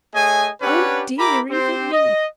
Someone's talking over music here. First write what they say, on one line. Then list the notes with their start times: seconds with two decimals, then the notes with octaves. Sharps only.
Oh dear, even me.
0.14 A3 G#4 C#5 D#5 G#5
0.62 C#4 D4 G4 B4 C#5 F#5
1.18 E4 G4 A#4 A#5 B5 D6
1.50 C4 G4 C5
1.92 D#5